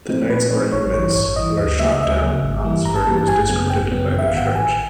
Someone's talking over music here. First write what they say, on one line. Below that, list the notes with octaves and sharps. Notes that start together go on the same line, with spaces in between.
The knights' arguments were shot down, and Oxford was discredited by the Church.
F3 A3 C4 D#4
A#2 B4
F3 A3 C4 D#4
A1 C#5
G2 E3 C#5
A1 C#5
G2 E3 D#5
D2 D#5
C#3 F#3 A#3 E5
D#5
D2 E5
C#3 F#3 A#3
G#1
G2 E3 G3 A#3
G#1 A#5
A5
G2 E3 G3 A#3
A5
G#1 G#5
F#2 C#3 F#3 B3
G#1 G5
F#2 C#3 F#3 B3
A1
E5
F5
G#2 D#3 F#5
G5
A1 G#5